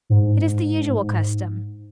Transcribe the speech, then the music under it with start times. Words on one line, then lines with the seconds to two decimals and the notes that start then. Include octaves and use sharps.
'It is the usual custom.'
0.10 G#2